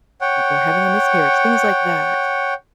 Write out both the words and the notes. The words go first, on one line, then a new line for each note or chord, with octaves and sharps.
or having a miscarriage, things like that.
C#5 F#5 G5